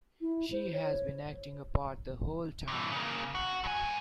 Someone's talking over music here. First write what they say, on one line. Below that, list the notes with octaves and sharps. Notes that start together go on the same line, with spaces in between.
She has been acting a part the whole time.
E4
C5
C#5
G2 E3
C#3 A#3
F#4
G2 G#5